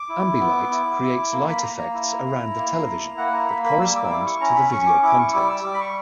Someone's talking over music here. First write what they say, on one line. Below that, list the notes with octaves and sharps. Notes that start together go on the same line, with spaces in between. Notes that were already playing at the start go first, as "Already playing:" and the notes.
Ambilight creates light effects around the television that correspond to the video content.
Already playing: D6
E4
B3
E4
E4
A#3
B5
A#3 A#5
A#5
E4
E4
A#3
E4
A#3 F#5
A#5
A#3 B5
B5
G3 E6
D6
E6
E4 D6
C#6
C#4 A#5
B5
C#4 C#6
D6
E4 D6
C#6
G3 D6
E6
G3 D6
B5
C#6